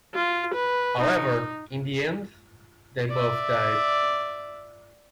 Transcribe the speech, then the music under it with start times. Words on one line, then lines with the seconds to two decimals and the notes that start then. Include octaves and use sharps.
However, in the end, they both died.
0.15 F4
0.54 B4
1.01 D#4
3.09 D5 E5